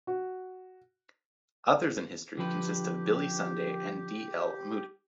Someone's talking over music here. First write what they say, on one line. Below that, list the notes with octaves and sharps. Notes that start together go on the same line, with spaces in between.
Others in history consist of Billy Sunday and D. L. Moody.
F#4
D3 F3 G4 B4